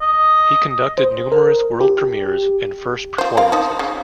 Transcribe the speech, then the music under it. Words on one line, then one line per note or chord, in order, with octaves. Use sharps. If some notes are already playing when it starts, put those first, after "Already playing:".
He conducted numerous world premieres and first performances.
D#5
C5
A#4
G4
F4 C5
C4 A#4 F5
F3 D#4
C#3